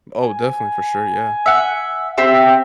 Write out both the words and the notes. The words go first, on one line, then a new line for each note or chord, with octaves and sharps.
Oh, definitely, for sure, yeah.
G#5
E5 F#5
C4 G4 E5